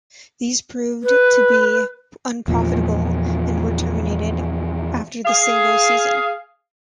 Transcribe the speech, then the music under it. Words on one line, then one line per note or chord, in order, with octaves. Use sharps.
These proved to be unprofitable and were terminated after the single season.
B4
E2 A#2 F3
G#4 F5